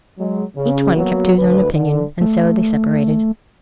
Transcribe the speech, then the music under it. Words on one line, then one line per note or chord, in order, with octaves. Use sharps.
Each one kept to his own opinion, and so they separated.
F#3 G#3
C#3
F#3 A#3 B3 F#4
D2 B4
D3
A3